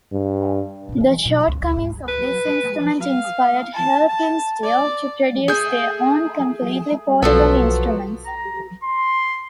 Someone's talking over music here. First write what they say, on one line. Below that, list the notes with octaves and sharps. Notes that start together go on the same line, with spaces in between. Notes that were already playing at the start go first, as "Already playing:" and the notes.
The shortcomings of this instrument inspired Helpinstill to produce their own completely portable instruments.
G2
G#2 B2
E3
B2 F#3
G1 C#2
D2
G#2
B4
F5
A5
A5
D5
A3 G#4 D#6 G6
B1 F3 F#3 B3 A4
A#5
C6